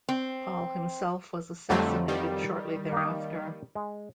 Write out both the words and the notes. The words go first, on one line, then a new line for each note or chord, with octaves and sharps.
Paul himself was assassinated shortly thereafter.
C4
F2 D3 F#3 G3 A3 C4
D#3 G3
A#3 D#4
G#3